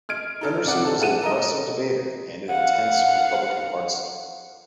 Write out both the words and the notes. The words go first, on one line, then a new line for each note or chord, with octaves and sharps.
Henderson was an aggressive debater and an intense Republican partisan.
F6 G#6 D7
D#4 A4 F6
G#1 C3 D5 F#5
A4 A5
G#4 F#5 D#7 E7
A4 A#4 D#5
F5 F#5